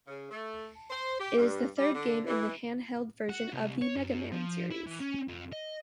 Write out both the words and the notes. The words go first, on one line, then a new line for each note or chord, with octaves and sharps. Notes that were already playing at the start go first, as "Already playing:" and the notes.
It is the third game in the handheld version of the "Mega Man" series.
C#3
A3
C5
G4
G2
G3
D3
E3
F#4
C2
C#5
F#2
F3
E4
E3
C#4
F2
D#5